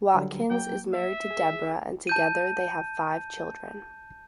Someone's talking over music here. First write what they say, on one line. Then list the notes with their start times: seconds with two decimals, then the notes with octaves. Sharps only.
Watkins is married to Deborah and together they have five children.
0.14 D3 F#3 G3
0.50 F#3 A#3 G5
0.94 E5
1.30 G#4
2.07 A5 G6 D#7